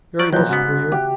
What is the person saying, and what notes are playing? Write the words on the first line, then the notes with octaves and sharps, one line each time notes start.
"Very well, Superior."
F#3 D5 C#6
C#2 A#2 F3 F#3 F#6 G6
G#2 C#3 G3 B3 F#4
G4